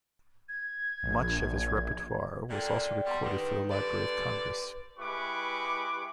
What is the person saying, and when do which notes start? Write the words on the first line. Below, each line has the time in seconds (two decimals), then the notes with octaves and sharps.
Much of his repertoire was also recorded for the Library of Congress.
0.49 G#6
1.03 A#1
2.50 A#2 D3 D5 G5
3.06 B2 G3 F#5 C6
3.24 G2 D3 D#3 B4
3.71 G2 D3 D5
4.99 G#3 E4 G4 B4 C#6 D6